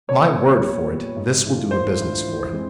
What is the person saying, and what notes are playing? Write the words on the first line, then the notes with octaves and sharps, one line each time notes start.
My word for it, this will do the business for him.
A#2 C#5
G3 B3
A#2
G3 B3
G#2
E3 A3 D4 F4
G#2 C5
E3 A3 D4 F4
E3
G#3 C4